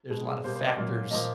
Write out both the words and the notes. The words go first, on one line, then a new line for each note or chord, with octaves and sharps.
there's a lotta factors
B2 G#3
B2 G3 A#3 C5
C5
D#5
D5
A#2 F#3 A#3
A#2 F3 A#3 D#5